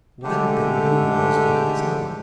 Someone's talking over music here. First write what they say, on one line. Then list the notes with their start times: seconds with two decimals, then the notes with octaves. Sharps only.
"Why the devil do you rouse me at this hour?"
0.24 D3 G#3 A3 G4